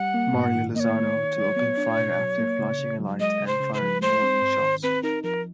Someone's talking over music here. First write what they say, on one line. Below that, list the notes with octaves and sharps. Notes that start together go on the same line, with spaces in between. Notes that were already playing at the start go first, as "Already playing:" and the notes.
Mario Lozano, to open fire after flashing a light and firing warning shots.
Already playing: G3 F#5
A#3
G#2
D#3
A#3 C#5 D#5
D#3
D#3
F#3
B3
D4
B2
F#3
A#3
C#3
C#3
F#3
G#3 D#5
C#3
C5
C#3
C5
F3 B4
G#3 C5
C4
G#2
D#3
C4 B4
D#4 A#4
F3 A#4